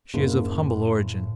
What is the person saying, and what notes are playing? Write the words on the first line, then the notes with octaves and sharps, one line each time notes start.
She is of humble origin.
F#1 A2